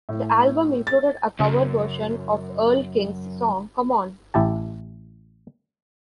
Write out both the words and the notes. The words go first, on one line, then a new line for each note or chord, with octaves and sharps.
The album included a cover version of Earl King's song, "Come On".
A2
A6
C#2 F#2 C#3
A1 E4 G4 A5